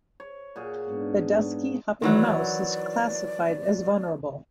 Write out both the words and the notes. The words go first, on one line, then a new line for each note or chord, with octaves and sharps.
The dusky hopping mouse is classified as vulnerable.
C#5
A#2 F#4 G#4
G#2 B3 D4
D#3 E3 F#3 D5